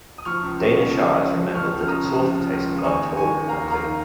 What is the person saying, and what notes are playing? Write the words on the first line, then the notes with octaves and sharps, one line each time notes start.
Dana Shires remembered that it sort of tasted like toilet bowl cleaner.
D#6
F3 C#6 F6
C#2
C#2
C#3
F3
C#2
C#2
C#3
F3 C#6 F6
C#2
F6
C#2 A#5 D#6
C#3
F3
C#2
C#2
C#3
D#6
D#2 G#5 C#6
D#2
D#3 G#5 C#6
D#3
D#2 F5 A#5
D#2
F5 A#5
D#3